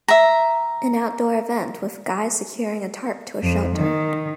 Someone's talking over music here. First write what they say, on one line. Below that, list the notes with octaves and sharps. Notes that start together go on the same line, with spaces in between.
An outdoor event with a guy securing a tarp to a shelter.
E5 A#5
F2
D#3